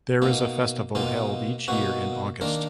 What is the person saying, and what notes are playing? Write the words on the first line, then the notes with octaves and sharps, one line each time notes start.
There is a festival held each year in August.
B2 A#3 D#4
B2 A#3 D#4 F4
B2 A#3 D#4 F#4
D#3 A#3 D4 A#4